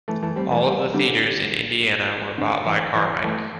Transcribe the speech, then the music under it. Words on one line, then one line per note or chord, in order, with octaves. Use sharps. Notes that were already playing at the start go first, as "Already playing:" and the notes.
All of the theaters in Indiana were bought by Carmike.
E3 A3
E3 A3
G3 C4
E3 A3
G3 C4
D3 G3
D3
E3
E3
E3 A3